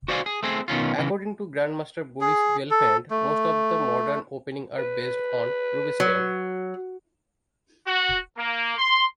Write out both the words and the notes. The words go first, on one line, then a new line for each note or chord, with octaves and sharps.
According to Grandmaster Boris Gelfand, Most of the modern openings are based on Rubinstein.
F#4 C5 D5 F5 G#5
G#4
A3 C4 G#4
B2 D#3 C#4 F4
C#3 E3
G#4
A4
A3
B4
F#3
F#4
A#3
C6